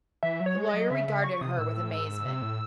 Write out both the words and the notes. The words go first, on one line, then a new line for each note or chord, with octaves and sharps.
The lawyer regarded her with amazement.
E3 E5
F#3
C#5
G#3
F#3 D#5
C#3 E5
C#3 E5
C#6
C3 D#6
A2 E6
G#2 E6
C3
A2